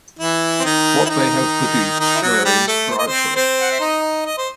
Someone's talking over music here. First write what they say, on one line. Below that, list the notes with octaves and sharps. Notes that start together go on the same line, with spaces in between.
What they have produced glows brightly.
E3 E4
C4
D#3 D#4
E4
D#3 D#4
D#3 D#4
E4
F#3 F#4
G3 G4
A3 A4
C5
D#5
C4 C5
C4 C5
F#5
E5
D#4 D#5
D#5
C5